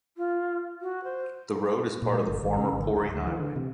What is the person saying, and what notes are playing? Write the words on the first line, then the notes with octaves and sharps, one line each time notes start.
The road is part of the former Pori Highway.
F4
F#4
C5
A#2
G#3
G1
G#1
C#3
G#1
D2
D1
D2
E3
D3
C3